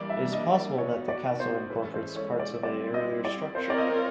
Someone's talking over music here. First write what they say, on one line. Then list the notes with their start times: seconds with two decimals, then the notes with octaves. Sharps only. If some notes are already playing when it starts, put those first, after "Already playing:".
It is possible that the castle incorporates parts of an earlier structure.
Already playing: E3 G3 A#3 D4 D5
0.10 E5
0.33 D#5
0.55 D5
0.78 B3 D#4 F#4 C#5
1.09 D5
1.40 C5
1.70 E3 G#3 C#4 E4 A4 B4
1.94 C5
2.16 C#5
2.40 D5
2.63 G3 C4 E4 D5
2.94 D#5
3.25 D5
3.55 C4 F4 A#4 C5 C#5
3.70 D5
3.78 D#5